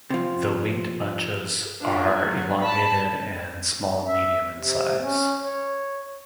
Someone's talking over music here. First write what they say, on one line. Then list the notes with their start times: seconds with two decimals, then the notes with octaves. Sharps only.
The winged bunches are elongated and small-medium in size.
0.10 C3 F3
1.81 D4 F4
2.12 F#3
2.62 A5 B5
4.08 E5
4.57 C3
5.02 C#4
5.45 C#5